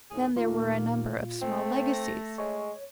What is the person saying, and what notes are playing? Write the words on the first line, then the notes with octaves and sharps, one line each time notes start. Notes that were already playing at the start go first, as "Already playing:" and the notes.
Then there were a number of small legacies.
D#2 A2 G#4
D#2 A#2 A#3 F4
A3 C4
A#6
G#3 C#5